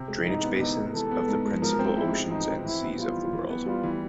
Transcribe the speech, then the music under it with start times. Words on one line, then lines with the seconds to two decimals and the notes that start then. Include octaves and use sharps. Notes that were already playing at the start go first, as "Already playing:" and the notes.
Drainage basins of the principal oceans and seas of the world.
Already playing: C3 C4
0.08 G#3
0.25 E3 D#4
0.43 B3
0.59 C3 D#4
0.77 G#3
0.94 E3 A4
1.11 B3
1.28 G#2
1.46 G#3
1.62 F3 A#4
1.79 C4
1.97 G#2 E4
2.13 G#3
2.30 F3 D#4
2.47 C4
2.64 E3 E4
2.82 B3
2.98 G3 F4
3.16 E3
3.33 E3
3.50 B3
3.66 G3 F4
3.83 E3